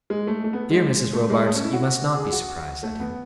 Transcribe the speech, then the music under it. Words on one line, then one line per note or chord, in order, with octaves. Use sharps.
Dear Mrs. Robarts, you must not be surprised at him.
G#3
A3
A3
B3
G#3
A3
G#3
A3
C#4
E4
F#4
G#4
F#4
A3
B3